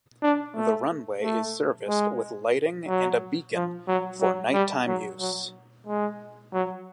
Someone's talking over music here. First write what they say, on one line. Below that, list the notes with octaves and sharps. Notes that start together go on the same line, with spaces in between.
The runway is serviced with lighting and a beacon for night-time use.
D4
A3
A3
G#3
F#3
F3
F#3
F#3
G3
F#3
F#3
G#3
F#3